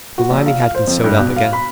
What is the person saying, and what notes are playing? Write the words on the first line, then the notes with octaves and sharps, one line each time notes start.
The lining had been sewed up again.
F#4
A#1
F5
F5
C5
F2
G2
B2
F5
B5